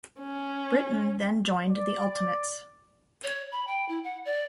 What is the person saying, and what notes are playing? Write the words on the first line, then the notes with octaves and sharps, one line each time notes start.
Britain then joined the Ultimates.
C#4
D5
C#5
B5
G5
E4
F#5
D5